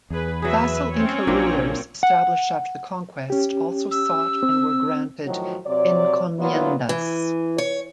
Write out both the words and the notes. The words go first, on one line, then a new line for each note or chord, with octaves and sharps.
Vassal Inca rulers established after the conquest also sought and were granted "encomiendas".
E2 G#4 B4
F#3 G#4 B4 E5
C4 C#4 C#5
A#1 A#2 F#3 A#3 D4
F#5
C#4 G4
E6
C4
A2 D#3 F3 F#3
C3 F#3 C#5 D5
A#2 E3 F#3 B3 E4 F4
E3
C#5